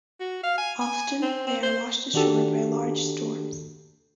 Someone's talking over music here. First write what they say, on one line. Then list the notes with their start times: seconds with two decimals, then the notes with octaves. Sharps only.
Often, they are washed ashore by large storms.
0.20 F#4
0.44 F5
0.58 G#5
0.81 G#5
1.22 C4
1.47 C4
1.63 C5
2.14 D#3 D4 F#4 G4 A4